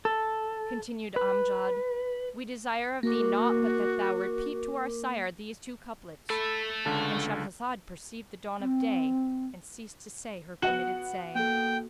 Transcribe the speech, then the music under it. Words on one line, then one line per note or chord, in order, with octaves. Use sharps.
Continued Amjad, "We desire of thee naught but that thou repeat to our sire these two couplets."--And Shahrazad perceived the dawn of day and ceased to say her permitted say.
A4
B4
A#3 F#4 A#4 D6
A3 A4 B5
C#2 D3 A5
C4
B3 F#4 F#5 F#7
A#3 A4 G5